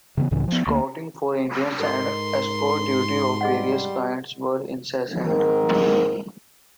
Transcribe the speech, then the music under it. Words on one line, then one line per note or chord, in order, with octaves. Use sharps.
Scouting for Indians and escort duty of various kinds were incessant.
C#3 E3 G3 B3
C#2 A2 C#3 E3
F3 B3
D2 F#3 A#3
G#2 A4 A#4 D#5 C6
G3 G#4 D#5 F#5
G#2 D#3 C4 A#4